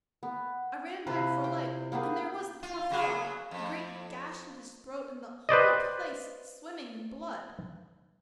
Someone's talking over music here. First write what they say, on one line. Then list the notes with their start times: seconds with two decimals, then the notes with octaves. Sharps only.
I ran back for a light and there was the poor fellow, a great gash in his throat and the whole place swimming in blood.
0.23 B3
1.07 C3 E4 F4 B4
1.44 G5
1.92 A#3 B3 G4 G#4
2.63 F4
2.90 C#3 F#3 G#4
3.51 F2
5.49 B4 C5 D5 D#5